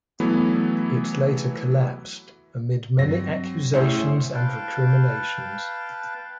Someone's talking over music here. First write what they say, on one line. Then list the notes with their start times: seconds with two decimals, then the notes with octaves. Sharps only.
It later collapsed amid many accusations and recriminations.
0.20 E3 F#3 A3 B3 E4
2.99 G2 F#3 C4 A#6
3.73 C2 A2 C#4 G#4 C5
4.34 B4 F5 G5 A5